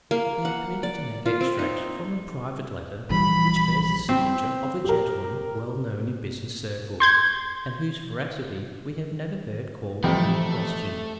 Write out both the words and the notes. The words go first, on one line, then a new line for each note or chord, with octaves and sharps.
We are permitted to make extracts from a private letter which bears the signature of a gentleman well known in business circles, and whose veracity we have never heard called in question.
A#3
F#5
D5
F4
C4
D#4
A#1 E3 G3 B5
C4
G4 A#4
C6 G6 G#6
F2 C3 E3 G3 A3 C4